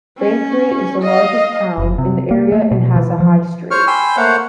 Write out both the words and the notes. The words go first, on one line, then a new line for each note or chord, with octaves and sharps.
Banchory is the largest town in the area and has a High Street.
C#4
D#5 F5
F#1
C3
A#3
A3
B2
E3
F3
C5 C#5 C#6 F6
G5 G#5 B5 C6 E6
A3 A#3 C5 C#5 F5 F#5